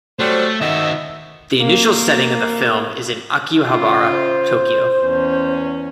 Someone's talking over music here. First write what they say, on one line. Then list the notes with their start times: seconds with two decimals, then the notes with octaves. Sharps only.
The initial setting of the film is in Akihabara, Tokyo.
0.19 F#3 G3 A3 C5
0.61 D#3 F#4 D#5 E5
1.59 A#3
3.60 C#3 F4
4.12 C5
5.03 E2 C#4